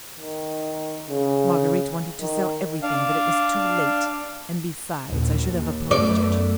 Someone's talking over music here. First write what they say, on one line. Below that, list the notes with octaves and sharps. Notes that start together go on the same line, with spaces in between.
Marguerite wanted to sell everything, but it was too late, and besides I should have opposed it.
D#3
C#3
D#3
D4 F5
A#1 D#2
D#2
F#2 A3 B3 D5